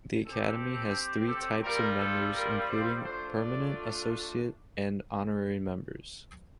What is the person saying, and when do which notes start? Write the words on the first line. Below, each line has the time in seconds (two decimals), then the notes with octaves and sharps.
The Academy has three types of members including permanent, associate and honorary members.
0.23 C4 G4 A4
1.27 A4
1.62 G3 C4 F4 A#4
1.97 A4
2.32 A#4
2.66 C5
3.01 A3 D4 F4 C5
3.36 D5